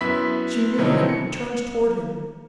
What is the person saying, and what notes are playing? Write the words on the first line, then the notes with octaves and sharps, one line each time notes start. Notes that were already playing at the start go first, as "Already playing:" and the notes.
She knew him, turned toward him.
F#2 B3 E4 E5 B5 B6
B2 D3 F#3 C4 D#4 E4
C#7